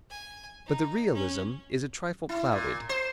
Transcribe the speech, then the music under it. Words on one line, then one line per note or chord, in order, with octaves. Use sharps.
But the realism is a trifle clouded.
G#5
D#4
C#4
E4
A#2
C5